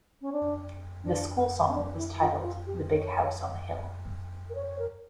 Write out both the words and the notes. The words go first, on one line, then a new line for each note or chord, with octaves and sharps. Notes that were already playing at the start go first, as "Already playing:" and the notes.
The school song was titled "The Big House on the Hill".
C#4
D4
D4
C#4
D4
E4
F4
F4
G4
C#5
A#4
C#5
C#5
A#4